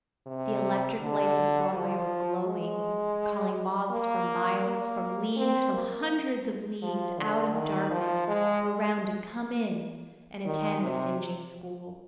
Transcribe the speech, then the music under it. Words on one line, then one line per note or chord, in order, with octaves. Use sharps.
The electric lights of Broadway were glowing--calling moths from miles, from leagues, from hundreds of leagues out of darkness around to come in and attend the singeing school.
C3
D3
F3
G#3
A#3
A#3
C4
A#3
F3
D3
D#3
F3
G#3
D#3
C3